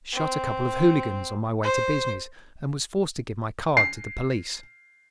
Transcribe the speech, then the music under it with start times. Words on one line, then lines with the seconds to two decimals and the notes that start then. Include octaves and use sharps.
Shot a couple of hooligans on my way to business and was forced to give my card to the police.
0.13 C4
1.63 C5
3.77 C7